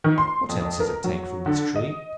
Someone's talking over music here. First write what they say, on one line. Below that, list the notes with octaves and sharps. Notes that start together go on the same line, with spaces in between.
What else is obtained from this tree?
D#3
C6
F2
A#4
F#3
D3
D#5